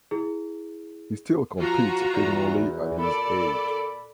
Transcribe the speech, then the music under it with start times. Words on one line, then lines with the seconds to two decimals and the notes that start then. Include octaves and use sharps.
He still competes occasionally at his age.
0.11 E4 G#4
1.58 F3 F4 F#4 A#5
2.15 E2
2.98 A#2 A4 D5 B5